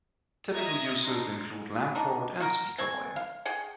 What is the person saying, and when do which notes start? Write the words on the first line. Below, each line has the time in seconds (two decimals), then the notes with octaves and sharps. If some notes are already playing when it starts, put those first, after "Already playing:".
Typical uses include lamp cord and speaker wire.
0.54 D#5 E5 A#5 D#6 G#6 A#6
1.01 D4 D#4 C6
1.95 D4 D#4
2.40 F#4 A#4
2.78 C4 G#5 C#6
3.16 F5
3.45 G#4 F#5 G5